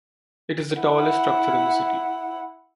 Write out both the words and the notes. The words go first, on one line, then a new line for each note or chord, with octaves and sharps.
It is the tallest structure in the city.
E4 F#5